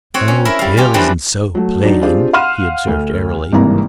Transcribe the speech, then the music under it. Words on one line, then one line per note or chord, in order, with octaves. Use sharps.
"Oh, Bill isn't so plain," he observed airily.
C4 F#4 C#5
C#4
E4 A#4 E5
G3 F5
C#4 F4 G4
E3 F3 G3 A#3 C4 D4
F#3 A3
F#3 D4 D#4
C4 D4 F4 G4 G#4
F5 F#5 C6 F6 D#7 E7
D2
G#1 G2 C3 E3 A#3 A#5